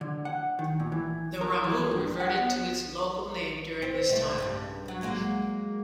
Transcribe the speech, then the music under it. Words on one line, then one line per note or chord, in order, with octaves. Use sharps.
The Ramu reverted to its local name during this time.
D3
F#5
D#3
A#2
E3
A#4
E3
G2
F#5
B3
C4
C3 G3 A3
G2 C#3 G3
F#3
F#3 G#3 A#3